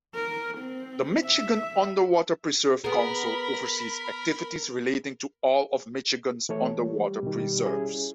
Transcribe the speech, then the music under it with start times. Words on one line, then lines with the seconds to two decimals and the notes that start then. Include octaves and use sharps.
The Michigan Underwater Preserve Council oversees activities relating to all of Michigan's Underwater Preserves.
0.15 A#4
0.58 C4
1.27 E5
2.84 B3 G#4 A#4 B5
6.49 E3 A3 C#5
6.84 G3
7.23 B2 D#3
7.65 C#4 E4 G#4